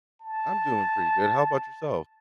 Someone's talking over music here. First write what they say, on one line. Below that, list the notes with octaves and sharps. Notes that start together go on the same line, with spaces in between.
I'm doing pretty good, how about yourself?
A5